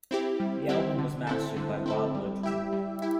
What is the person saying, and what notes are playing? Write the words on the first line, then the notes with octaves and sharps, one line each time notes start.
The album was mastered by Bob Ludwig.
C4 E4 G4
G3
C4 E4 G4
D3
C4 E4 A4
D3
C4 E4 A4
G3
E4 G4 E5
G3
E4 G4